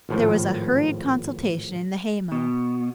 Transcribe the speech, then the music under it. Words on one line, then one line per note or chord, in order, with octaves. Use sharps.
There was a hurried consultation in the hay-mow.
G#1 A2 F3
B2